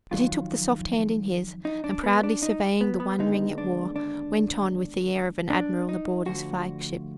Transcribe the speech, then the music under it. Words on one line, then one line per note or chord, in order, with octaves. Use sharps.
But he took the soft hand in his, and proudly surveying the one ring it wore, went on with the air of an admiral aboard his flagship.
F2 D#3 F#3 F4
D#4
D4
B3
D4
D#4
B3
B3
D#2 D3 G#3 B3 D#4
D4
D4
D4
D#4
D2 D3 F3 F#4